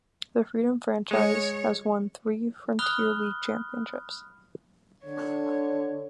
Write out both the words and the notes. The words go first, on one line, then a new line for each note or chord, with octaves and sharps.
The Freedom franchise has won three Frontier League championships.
G#3 C#5
B5 D#6 F6 F#6 G7
D3 C#5